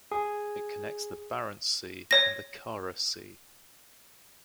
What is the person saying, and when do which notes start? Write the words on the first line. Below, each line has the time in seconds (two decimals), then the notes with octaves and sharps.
It connects the Barents Sea and the Kara Sea.
0.12 G#4
2.11 C#5 A#6